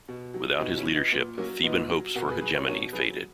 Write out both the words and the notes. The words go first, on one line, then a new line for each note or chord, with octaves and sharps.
Without his leadership, Theban hopes for hegemony faded.
B2
F#3
B2 B3 D#4
C#4 E4
F#3
B3 D#4
A#2 B3
F#3 A#3 C#4
A#2 B3 D#4
F#3
B2 F#4 A#4
G#4 B4
F#3 G#4 B4
A#4 C#5
B2 A#4 C#5
F#3 G#4 B4